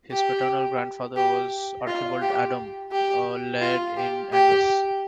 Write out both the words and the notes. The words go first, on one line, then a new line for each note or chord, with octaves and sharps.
His paternal grandfather was Archibald Adam, a laird in Angus.
G4
G4
F4
G4
G4
F4
G4
G4